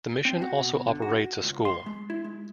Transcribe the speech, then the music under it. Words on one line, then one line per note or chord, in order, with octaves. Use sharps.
The mission also operates a school.
C4
F#4
B2
D3
F#4
C#2
C6
G#3
E4
G#3